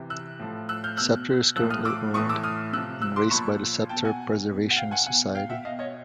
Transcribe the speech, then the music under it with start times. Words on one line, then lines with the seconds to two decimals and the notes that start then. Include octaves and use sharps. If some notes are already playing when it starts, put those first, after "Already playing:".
"Sceptre" is currently owned and raced by the Sceptre Preservation Society.
Already playing: C3 E3
0.10 E6 F#6
0.40 A2 F3
0.69 E6 F#6
0.84 F6 G6
0.97 B2 E6 F#6
1.56 F3 E6 F#6
1.59 A2
1.70 D#6 F6
1.85 D6 E6
2.14 A2 E3 C#6 D#6
2.29 D6 E6
2.44 D#6 F6
2.73 C3 F3 E6 F#6
3.02 E6 F#6
3.16 C6 D6
3.31 A#2 F3 B5 C#6
3.89 B2 G5 A5
4.05 F#5 G#5
4.48 B2
4.71 F#5
4.77 F5 G5
4.91 F#5 G#5
5.06 B2 F#5 G#5
5.35 F5 G5
5.50 E5 F#5
5.65 B2 D#5 F5
5.79 C#5 D#5